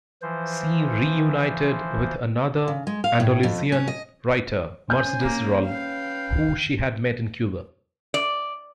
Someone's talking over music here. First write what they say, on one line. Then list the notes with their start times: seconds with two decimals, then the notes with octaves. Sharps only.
She reunited with another Andalusian writer, Mercedes Rull, who she had met in Cuba.
0.22 E3 F3 C5
2.68 C#3
2.87 G#3
3.04 F5
3.20 A2
3.43 F2
3.72 C#4
3.88 D#5
4.90 C#4 C5 G#5 G6
5.20 A#3
5.66 B4 F5 G5
8.14 D5